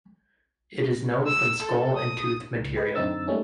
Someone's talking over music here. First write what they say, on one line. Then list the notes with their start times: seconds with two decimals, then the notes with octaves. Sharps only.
It is known from skull and tooth material.
1.27 E6
1.63 A4
1.97 D#6
2.57 C#2
2.76 G4 B4 D#5
2.95 F#2 D3 C4 D#4 E6 A6
3.27 G3 A3 A#3 C#4 D#4